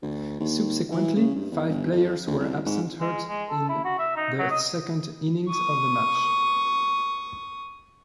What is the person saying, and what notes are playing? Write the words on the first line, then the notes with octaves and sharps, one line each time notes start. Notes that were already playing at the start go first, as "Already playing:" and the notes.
Subsequently, five players were absent hurt in the second innings of the match.
D2
D#2
E3
C#3
G2
E2
G1
F2
D2
C2
G#2
G#3
G#3
A4
E4
F#4
E5
D#4
F#3
D#5
C#6 D#6